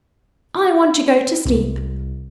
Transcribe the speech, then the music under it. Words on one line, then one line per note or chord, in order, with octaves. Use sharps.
I want to go to sleep.
C2